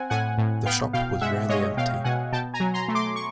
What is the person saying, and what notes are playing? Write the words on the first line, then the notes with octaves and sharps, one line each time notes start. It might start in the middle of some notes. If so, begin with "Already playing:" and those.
The shop was rarely empty.
Already playing: C4 F#5 G#5
A2 F#5 G#5
A2
B3 F5 G5
B2 F5 G5
G#3 E5 F#5
G#3 C#5 D#5
B2 F5 G5
B2 F#5 G#5
B2 G5 A5
G#5 A#5
F#3
A#5 C6
A3
C6 D6
C#6